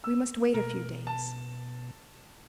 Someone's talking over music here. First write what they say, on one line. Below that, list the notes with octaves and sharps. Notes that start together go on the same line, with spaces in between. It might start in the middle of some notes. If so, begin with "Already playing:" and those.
We must wait a few days.
E6
B2 A#4
A5